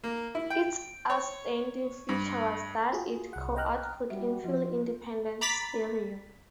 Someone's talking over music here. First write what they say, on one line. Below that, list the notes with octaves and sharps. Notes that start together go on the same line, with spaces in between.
Its outstanding feature was that it could output in fully independent stereo.
A#3
E4
G5
C#5
G2
F4 F#4 G#4
C2 F#5
D#5 G5 A#5 F6 F#6
G3 F#4 E5
F3 F4
A#5 B5 D6 A6 B6